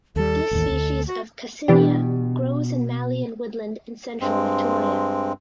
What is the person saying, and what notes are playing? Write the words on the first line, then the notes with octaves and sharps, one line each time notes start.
This species of "Cassinia" grows in mallee and woodland in central Victoria.
D#2 G3 A4
A1 D#2
D2
F#4
B2 E3 D4 G4
G2 G#3 C4